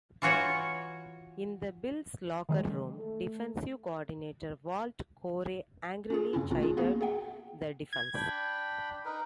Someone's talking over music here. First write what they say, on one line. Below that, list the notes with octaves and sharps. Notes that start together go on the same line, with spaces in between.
In the Bills' locker room, Defensive Coordinator Walt Corey angrily chided the defense.
E3 F4 F#4 C#5
D#3 F#3 G#3
A3
C#4 F4 G#4
F#2 C#3 C4 C#4 E4
A#1 C3 A3 C#4 F4
C#4 F4 G#4
A#3 B3 F#4 G#4
G#4 E5 F#5 G5
G#6
D4 G5 B5
D#4 A#4 B4